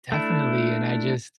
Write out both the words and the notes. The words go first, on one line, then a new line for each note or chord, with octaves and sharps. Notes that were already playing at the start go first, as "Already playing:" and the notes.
Definitely, and I just
A3 D4 E4